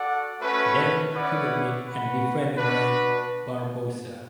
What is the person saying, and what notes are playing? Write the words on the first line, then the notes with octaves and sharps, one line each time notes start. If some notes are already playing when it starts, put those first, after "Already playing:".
There, he would meet and befriend Ruy Barbosa.
Already playing: F#4 A4 D5 F#5
A3 C#4 F#4 B4
C#4 E4 B4 D5 F#5
F#4 B4 F#5
D4 F#4 B4